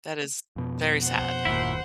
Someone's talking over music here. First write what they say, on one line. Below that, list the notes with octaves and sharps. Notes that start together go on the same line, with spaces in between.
That is very sad,
F2 B2
C5 F#5
F#1 D#2 A#2 E4